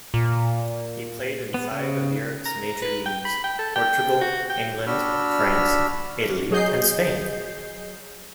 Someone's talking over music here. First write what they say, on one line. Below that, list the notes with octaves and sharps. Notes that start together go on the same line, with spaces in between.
He played in five of Europe's major leagues: Portugal, England, France, Italy and Spain.
A#2
B3
C#3
A#5
B4
G5
B5
G5
A4
G5
F#4
G5
D4 F#4 B5 E6 F6
F#3 G#4 D#5 G6 C7